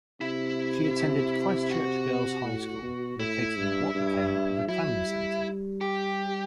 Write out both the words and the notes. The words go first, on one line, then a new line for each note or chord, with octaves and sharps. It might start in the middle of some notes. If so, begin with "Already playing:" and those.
She attended Christchurch Girls' High School, located in what became the Cranmer Centre.
C3 E4
F#4
A2
B2
A2 E4
G2
G2
F#3 E4
G3
G4